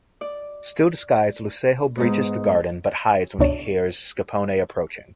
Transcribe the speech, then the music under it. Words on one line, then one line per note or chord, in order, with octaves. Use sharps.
Still disguised, Lucejo breaches the garden, but hides when he hears Scipione approaching.
D5
G#2 B3
C#2 B2 D4 C#5 A5